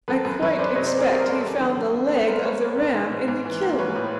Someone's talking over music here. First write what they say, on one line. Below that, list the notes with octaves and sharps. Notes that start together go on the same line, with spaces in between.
I quite expect he found a leg of the ram in the kiln.
F#2 A4 B4
F#2
F#2 B4 C#5
F#2 C5 D5
C3 C#5 D#5
C5 D5
C4
G#4 A#4
C3 G#4 A#4
A#4 C5
G#3
A4 B4
F#2 G4 A4
D3
F#2
F#2
C5
B3 A4 B4
G#3 A#4 C5
G#3 B4 C#5
B3
G#2
G#2
G#2
G#2
E3
A#3
E3 B4 C#5
A2